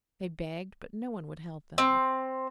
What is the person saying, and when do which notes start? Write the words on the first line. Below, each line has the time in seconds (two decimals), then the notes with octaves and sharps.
They begged, but no one would help them.
1.78 C4